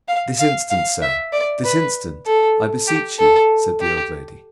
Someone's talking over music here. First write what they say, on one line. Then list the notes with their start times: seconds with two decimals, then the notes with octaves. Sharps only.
"This instant, sir--this instant, I beseech you!" said the old lady.
0.08 F5
0.40 F5
0.70 F5
1.02 E5
1.33 D5
1.64 B4
2.26 A4
2.87 G4
3.19 A4
3.81 G4